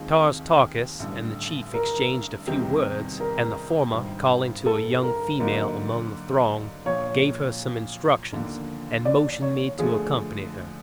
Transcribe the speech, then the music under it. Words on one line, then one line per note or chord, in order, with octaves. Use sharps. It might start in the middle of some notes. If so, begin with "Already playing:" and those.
Tars Tarkas and the chief exchanged a few words, and the former, calling to a young female among the throng, gave her some instructions and motioned me to accompany her.
Already playing: D#2 D#3 G#3 C4 F4
A1 G2 D3
A#4
E2 C3 D#3 G3 C4
A#4
G#1 G2 D#3
A4
A#4
D3 F#3 A#3 D#4 A#4
A#1 A#2 F3 C#5
D#2 D3 F3 A#3
D5
C#5
D3 F3 A3 G#4